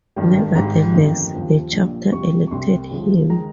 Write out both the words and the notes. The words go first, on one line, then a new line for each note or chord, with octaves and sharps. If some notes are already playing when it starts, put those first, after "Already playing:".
Nevertheless, the Chapter elected him.
G#1 G2 D#3 G3
G#1 G#2 G3 A#5
G1 F2 D#3 G3
D#2 C#3 F3
A#1 A#2 G3
F2 C3 G3 C#6
C#6
C2 C3 G3 C6
D#2 C#3 F3 G#3
D#3 G#3 A#5